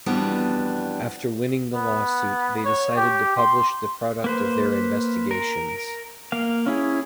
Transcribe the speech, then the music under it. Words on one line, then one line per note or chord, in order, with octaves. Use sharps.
After winning the lawsuit they decided to publish the product of their investigations.
F2 B2 E3 G3 B3 D4
B3
C#5
G4
C6
A#3 B4 C5
A#4
A#3 F5
C#4 E4 G#4